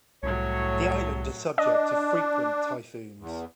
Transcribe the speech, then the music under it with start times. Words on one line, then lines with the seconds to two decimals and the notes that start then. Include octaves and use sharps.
The island is subject to frequent typhoons.
0.23 C2 A2 F#3 C#5
1.58 D4 D#5
3.20 E2